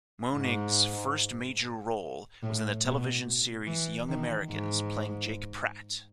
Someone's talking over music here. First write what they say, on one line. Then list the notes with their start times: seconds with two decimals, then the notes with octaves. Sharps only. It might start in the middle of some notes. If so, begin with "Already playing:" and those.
Moennig's first major role was in the television series "Young Americans", playing Jake Pratt.
0.35 G#2
2.43 A2
2.84 B2
3.67 E3
4.08 D#3
4.50 G#2